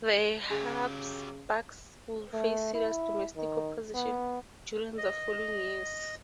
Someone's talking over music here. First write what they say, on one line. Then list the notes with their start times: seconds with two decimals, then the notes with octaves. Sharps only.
The Habsburgs would face serious domestic opposition during the following years.
0.50 C#3 F#3 G4 G#4
2.33 A3
2.75 E4
3.36 D#3
3.95 B3
4.98 D#5